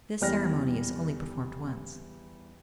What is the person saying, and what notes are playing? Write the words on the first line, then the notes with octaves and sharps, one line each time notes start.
This ceremony is only performed once.
E2 G3 D5 F6 A#6